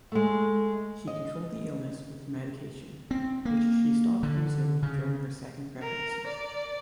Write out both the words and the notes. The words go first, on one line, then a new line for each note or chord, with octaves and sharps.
She controlled the illness with medication, which she stopped using during her second pregnancy.
G#3 A3
D#5
C4
A#3
D3
C#3
A#4
D5